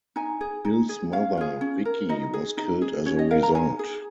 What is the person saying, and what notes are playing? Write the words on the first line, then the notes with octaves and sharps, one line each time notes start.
Hill's mother, Vicki, was killed as a result.
D#4 G#5
G#4
D#4
G#4
C#4 F5
F4 G#4
C#4
A#4
D#4 D#5
G#4
D#4
G#4
C#4 C#5
D#5
A#4 F5
A#5
D#4 G#5
G#4